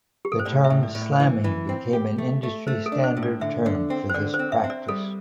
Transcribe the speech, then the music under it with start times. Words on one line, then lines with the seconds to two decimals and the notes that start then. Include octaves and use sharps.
The term slamming became an industry standard term for this practice.
0.25 G4
0.32 A4
0.39 C5
0.46 A2 D5
0.64 E5
0.70 A2
0.83 D5
0.95 A2
1.02 D5
1.13 C5
1.20 E3 D5
1.44 E3
1.69 C4
1.93 G4
2.18 A3
2.43 A3
2.67 A3 C5
2.86 A4
2.92 D4
3.04 C5
3.17 A2
3.23 D5
3.41 D3 E5
3.66 D3
3.90 C4
4.10 C5
4.14 D3 D5
4.34 C5
4.39 C4
4.52 E5
4.64 C4
4.70 D5
4.88 G3 A4